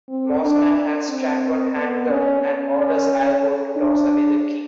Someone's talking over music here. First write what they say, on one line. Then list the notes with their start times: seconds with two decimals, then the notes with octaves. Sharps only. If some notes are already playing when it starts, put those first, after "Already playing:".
Mossman has Chacon handcuffed and orders Alvord to toss away the key.
0.09 C4
0.42 D4
1.09 C4
1.76 B3
2.09 C#4
2.42 C#4
3.76 D4